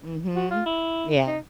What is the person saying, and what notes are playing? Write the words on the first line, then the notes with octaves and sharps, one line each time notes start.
Mhm, yeah.
F#4
F4
E4
D#4